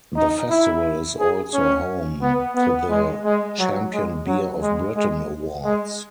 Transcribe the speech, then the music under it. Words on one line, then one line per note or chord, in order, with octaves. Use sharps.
The festival is also home to the Champion Beer of Britain awards.
D#4
E4
G#4
C#4
B3
B3
G#3
G#3
F#3
G#3
F#3
G#3
G#3
G#3